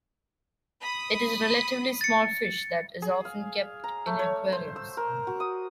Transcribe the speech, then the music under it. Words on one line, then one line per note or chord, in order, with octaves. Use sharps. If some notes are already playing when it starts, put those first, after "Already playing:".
It is a relatively small fish that is often kept in aquariums.
B5 D#6
A6 C#7
G#4
F5
A#5
A3
C#5
C5
E6
A#4
F#4
D#6